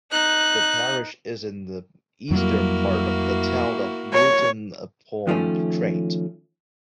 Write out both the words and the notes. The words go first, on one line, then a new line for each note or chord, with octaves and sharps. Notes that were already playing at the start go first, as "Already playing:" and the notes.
The parish is in the eastern part of the town of Burton upon Trent.
D#4 F#6
F2 F#3 G3 A#3 E4 F#4
C#5
D#3 F3 A3 C#4